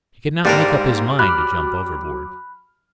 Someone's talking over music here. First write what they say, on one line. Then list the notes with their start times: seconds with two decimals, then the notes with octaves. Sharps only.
He could not make up his mind to jump overboard.
0.45 G#2 G3 A#3 D4 A#4
1.19 F#3 B5 D6 F6 F#6